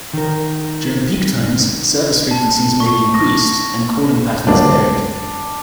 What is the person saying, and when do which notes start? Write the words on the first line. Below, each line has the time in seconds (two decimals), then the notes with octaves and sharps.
During peak times service frequencies may be increased and calling patterns varied.
0.14 D#3 A#4
2.31 A5
2.80 C#6
3.14 A#6
4.47 G1 C#2 F#2 D4